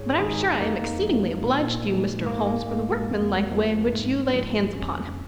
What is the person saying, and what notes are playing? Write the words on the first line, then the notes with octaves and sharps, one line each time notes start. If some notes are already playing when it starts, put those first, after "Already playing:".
But I'm sure I am exceedingly obliged to you, Mr. Holmes, for the workmanlike way in which you laid hands upon him.
Already playing: G#2 G#4 C#5
D#3 G#3 D#4 G#4
F2 A#3 D#4
F3 G#3
A#2
F3 G#3
G#2 A#3
G#3
F2
F3 G#3
G#2
F3 G#3
F2 C#4